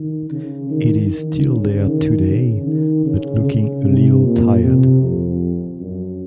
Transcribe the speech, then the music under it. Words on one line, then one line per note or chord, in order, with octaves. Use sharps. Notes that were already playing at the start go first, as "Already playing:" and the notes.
It is still there today, but looking a little tired.
Already playing: D#3
C#3
D#3
D#3
C#3
D#3
C#3
D#3
C#3
C#3
C3
A#2
C3
F2
F#2